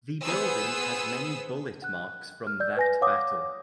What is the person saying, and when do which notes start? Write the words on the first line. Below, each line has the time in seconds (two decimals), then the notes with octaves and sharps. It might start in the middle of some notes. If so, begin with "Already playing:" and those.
The building has many bullet marks from that battle.
0.23 B3 G#4 C5 D#6 E6
1.82 F#5 F#6
2.47 F6
2.60 D5 E6 G6
2.77 B4 G#5 A#6
3.01 C#5 F5 F#5 D6 D#6